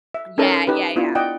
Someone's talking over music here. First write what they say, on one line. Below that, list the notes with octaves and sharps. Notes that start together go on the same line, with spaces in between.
Yeah, yeah, yeah.
E5
C#4 D#4 A4 A#4 A5 A#5
D#4 G4 B4
B3 D4 E4 F4
D5 D#5 F#5 G5